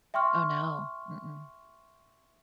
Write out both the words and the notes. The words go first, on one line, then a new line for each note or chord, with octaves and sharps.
Oh, no, mm-mm.
E5 G5 C6 C#6 F6